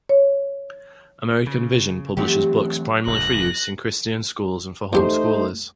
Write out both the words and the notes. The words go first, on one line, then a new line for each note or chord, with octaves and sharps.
American Vision publishes books primarily for use in Christian schools and for home schoolers.
C#5
C#3
E3 F#3 A3 C4 G4
F1 D2 G2 F#6 A#6
E2 A3 D#4 G4 C5 C6